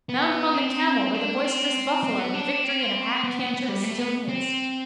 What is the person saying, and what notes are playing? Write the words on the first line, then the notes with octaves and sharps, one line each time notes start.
Mount him on the camel or the boisterous buffalo the victory in a hack canter is still his.
B3
C4
D4
C4
C4
B3
D4
C4
B3
B3
B3
G3
A3
B3
C4